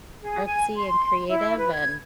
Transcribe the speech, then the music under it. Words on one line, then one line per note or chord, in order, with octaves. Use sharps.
artsy and creative, and,
G#4
G#5
C6
E4
B4
G#6